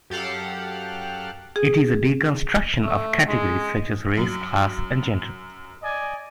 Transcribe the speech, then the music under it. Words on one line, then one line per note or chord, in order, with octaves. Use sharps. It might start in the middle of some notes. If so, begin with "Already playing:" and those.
It is a deconstruction of categories such as race, class, and gender.
F#2 G4 A4 F5 F#5
G#4
A3
G#3
F#2
D5 D#5 G#5